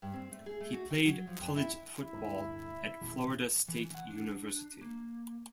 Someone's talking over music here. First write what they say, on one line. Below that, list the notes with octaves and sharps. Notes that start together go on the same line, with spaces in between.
He played college football at Florida State University.
G2
C4
A3
G#4
A3
F#4
G5
F#3
F3
F2
E4
E4
D1 G2 A3
D#1 A1 E2
E3
E3 F#5
D4
A#3